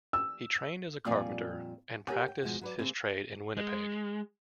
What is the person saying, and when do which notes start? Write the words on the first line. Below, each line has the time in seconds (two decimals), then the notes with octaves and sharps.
He trained as a carpenter, and practiced his trade in Winnipeg.
0.13 E6
1.05 F2 A#2 G3 F4 D5 G#5
2.07 G4 A#4 C#5 F#5 G#5
2.28 G5
2.43 B2 F3 G#3 F#4
2.61 F#3 B4 D5
2.79 C#3 G3 A#3 C4
3.57 G#3